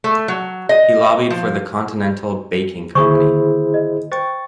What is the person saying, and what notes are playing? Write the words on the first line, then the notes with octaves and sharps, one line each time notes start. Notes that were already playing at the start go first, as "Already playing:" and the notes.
He lobbied for the Continental Baking Company.
A3
F#3
D#5
F3
D3 D#3 A#3 E4 G#4 C5 C#6
D#5
C5 G5 C#6 A6